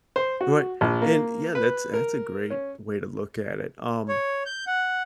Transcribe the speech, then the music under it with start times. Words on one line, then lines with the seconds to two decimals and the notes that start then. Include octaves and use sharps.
Right. And, yeah, that's that's a great way to look at it. Um,
0.16 C5
0.41 F#4
0.81 A#1
1.02 A#3
1.55 B4
1.94 A#4
2.50 C#4
4.08 C#5
4.46 G6
4.67 F#5